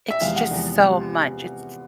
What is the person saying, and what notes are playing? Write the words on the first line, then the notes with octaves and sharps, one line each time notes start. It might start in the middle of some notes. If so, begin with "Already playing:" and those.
It's just so much. It's
E5
E2 C3 F3 G#3 F5
F#5
E2 C3 F3 G#3
C3 F3 G#3